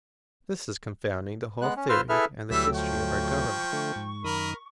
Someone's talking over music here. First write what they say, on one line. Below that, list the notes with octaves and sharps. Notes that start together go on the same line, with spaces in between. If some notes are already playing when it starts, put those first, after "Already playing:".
This is confounding the whole theory and the history of our Government.
G#3 B3 F#6
C#4
F4 B4 C5 C6 E6 F6
E4 G#4 A4 B4 E5 F6
D2 E3 F#3 G3 A3 E5 G5 E6
F3 G5 C#6
D3 A3
G#2
F#2 D#3 A#4 B5 D#6